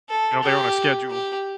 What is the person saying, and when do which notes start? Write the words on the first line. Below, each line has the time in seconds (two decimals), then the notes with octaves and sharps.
you know, they're on a schedule.
0.09 A4
0.43 G4
1.11 G4